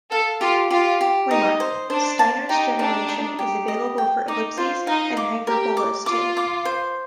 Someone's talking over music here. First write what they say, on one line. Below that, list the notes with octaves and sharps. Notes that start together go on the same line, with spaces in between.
"Remark:" Steiner's generation is available for ellipses and hyperbolas, too.
A4 F5
F4 G4
F4 G4
G4
D#4 D#5
C5
D4 C5
A5
D#4 G4
D4 D#4
D#4
G4
D#5
G5
D#4 D6
F4 C5
D#4 F5
D6
G4 A#4
D6
F4 D6
D6
C5